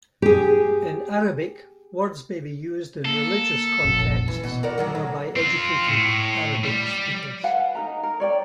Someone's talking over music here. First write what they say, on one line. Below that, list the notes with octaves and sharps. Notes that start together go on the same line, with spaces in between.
In Arabic words, may be used in religious contexts, or by educated Arabic speakers.
G4 G#4
A#3 A4
F1 A#1 F#2
E3
B2
F#4 A#4 D5
D3 D#3 F#3
F#3
C4 F4
A2
G3
B4 F5 F#5 G#5
D#4 A#4 A#5
A#4
C#5 D5 G5